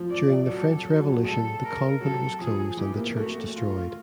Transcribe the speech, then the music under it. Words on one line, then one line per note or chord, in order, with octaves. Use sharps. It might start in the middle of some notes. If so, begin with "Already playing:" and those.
During the French Revolution the convent was closed and the church destroyed.
Already playing: F3
D5
F#3 A4
F#3
F#3
F#3
G#3 A4
A#4
F#3 A4
F3 G#4
E3 G4
A#3
A3 F#4
F4